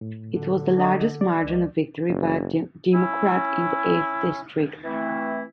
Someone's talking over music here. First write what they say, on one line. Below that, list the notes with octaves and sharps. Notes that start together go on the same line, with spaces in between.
It was the largest margin of victory by a Democrat in the Eighth District.
A2
D3
D4 D#5
D5
C#2
F#1
C#4 E4
E3 A3 C4 E4